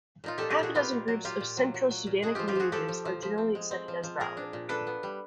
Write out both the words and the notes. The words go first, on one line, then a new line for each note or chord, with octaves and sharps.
Half a dozen groups of Central Sudanic languages are generally accepted as valid.
A#2 D#4 F4
A#2 G4 A4
G4 A4
A#2 F#4 G#4
B3 F4 G4
A#2
F#3
A#2 F4 G4
A#2
F#3
F#3
F#3
A#2
G#3 F#4 G#4
F3 F4 G4
F4 G4
F3 F#4 G#4
F3 G4 A4
F3
F3
F3
C4
G#3
C4
F3
F3
A#2 G#4 A#4
D4
A#2
D4 A4 B4
B3
G3